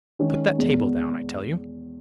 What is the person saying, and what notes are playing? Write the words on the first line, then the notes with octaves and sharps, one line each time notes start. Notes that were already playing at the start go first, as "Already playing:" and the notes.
"Put that table down, I tell you."
D#3 G#3 C#4 G#4
E2 B2 G#3 B3